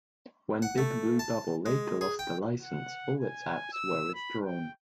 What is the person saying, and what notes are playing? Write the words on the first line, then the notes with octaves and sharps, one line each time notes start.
When Big Blue Bubble later lost the license, all its apps were withdrawn.
F#5
A3
A5
G#3
G#4
G5
F#5
G#5
E6
B5
G5